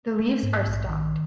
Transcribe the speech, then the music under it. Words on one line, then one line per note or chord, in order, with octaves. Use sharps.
The leaves are stalked.
G#3
G#2
A#1
D#3